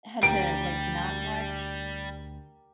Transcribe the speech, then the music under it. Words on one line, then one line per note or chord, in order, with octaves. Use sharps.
Had to, like, not watch
D2 G3 G4 A#4 D7